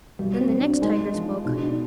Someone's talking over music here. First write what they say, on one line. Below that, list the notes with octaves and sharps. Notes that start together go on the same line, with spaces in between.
Then the next tiger spoke.
B1 G3
C4
F#3
D4
G#3 D#4
F3
B2 D#4
D4
D#4